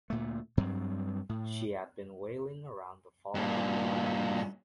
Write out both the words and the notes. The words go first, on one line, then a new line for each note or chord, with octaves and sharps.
She had been whaling around the Falkland Islands.
D2 A#2 A3
G2 F#3 C4
A2
G2 A#2